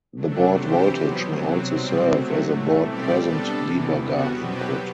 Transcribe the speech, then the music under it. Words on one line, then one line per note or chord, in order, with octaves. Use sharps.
The board voltage may also serve as a "board present" debugger input.
C3 F#3 A3 D4
E3 G3 C4 G4 C5
B2 F#3 B3
C3 F#3 C4
B2 G3 C4
C3 F#3 A3
A2 E3 A3
B2 G3 C4 G4 D5
G3 B3 D4 A4
E2 C3 E3
G3 B3 F#4
B2 F#3 C4 G4 B4